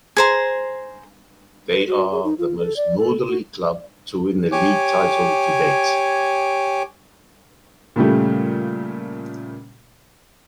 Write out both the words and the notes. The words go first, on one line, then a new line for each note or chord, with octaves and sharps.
They are the most northernly club to win the League title to date.
G#4 C5 A#5
B4
F#4
G#4
D#4
F4
A4
D5
A4
F#4
G4 C#5 G#5 D6
A#2 C#3 G3 A3